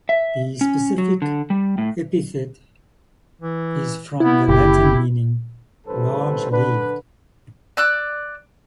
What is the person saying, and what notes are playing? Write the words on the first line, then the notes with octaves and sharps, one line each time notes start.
The specific epithet is from the Latin meaning "large leaved".
E5
C#4
F#3
D3
G3
A2
E3
B3 E4
F#1 G4
A1 G2 A4 B4 C5
D3 D4 B4
D5 E6 F#6